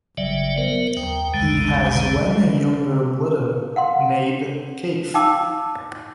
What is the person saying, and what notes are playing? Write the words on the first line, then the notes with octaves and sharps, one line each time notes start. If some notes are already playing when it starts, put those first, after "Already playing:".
He has one younger brother, named Keith.
G1 C#3 F#3 G3 D5 E5
F#3 B3 A#4 C5
D#2 G5
A#1 E2 D3 G3 G#3
F5 F#5 C6
D#4 F5 G5 A5 D6 E6